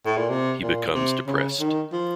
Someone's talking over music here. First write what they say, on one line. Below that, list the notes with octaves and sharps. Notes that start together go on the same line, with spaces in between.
He becomes depressed.
A2
A#2
C3
A#2
C3
C#3
D#3
F3